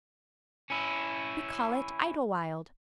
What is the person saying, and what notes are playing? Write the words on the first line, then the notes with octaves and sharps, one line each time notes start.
We call it Idlewild.
C#4 E4